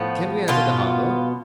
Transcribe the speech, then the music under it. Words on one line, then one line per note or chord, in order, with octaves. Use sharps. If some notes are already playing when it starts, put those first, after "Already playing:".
"Can we enter the harbour?"
Already playing: A2 F3 B3
B2 B3 F4